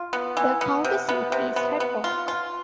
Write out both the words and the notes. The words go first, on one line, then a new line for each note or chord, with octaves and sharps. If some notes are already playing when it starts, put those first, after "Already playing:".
The county seat is Red Oak.
Already playing: F4
B3
E3
B3
C3
B3
C3
B3
B3
F4
F4